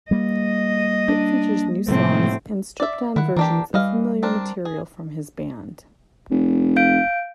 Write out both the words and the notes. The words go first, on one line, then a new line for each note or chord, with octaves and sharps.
It featured new songs and stripped-down versions of familiar material from his band.
G3 A#3 D#5
D4
A2 C3 F3 A3 C4
D5 E5
D#3 E4 F#5
E3 A#3 D4 G4
E3 G3 D#5 F5
C4 D4 A#4
G#4
F1
F5 G6 D7